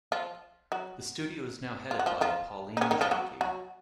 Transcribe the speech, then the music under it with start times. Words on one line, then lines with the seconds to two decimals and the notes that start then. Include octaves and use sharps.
The studio is now headed by Pauline Jacquey.
0.12 F3 F4
0.72 F#3 F#4
1.91 F4
1.99 F#4
2.06 F3 F4
2.21 F3 F4
2.77 D#4
2.81 C#3 C#4
2.91 D#3 D#4
3.01 F3 F4
3.11 F#3 F#4
3.41 F#3 F#4